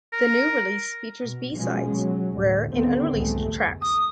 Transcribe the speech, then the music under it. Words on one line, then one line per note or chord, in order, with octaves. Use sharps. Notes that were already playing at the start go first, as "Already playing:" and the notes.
The new release features B-sides, rare and unreleased tracks.
A#4
B2
B2 F3 G#3 C#4
F#3
D2 A2
D#2 D3 B3 C4
C2 F2 G#2 G#3 A3
D#6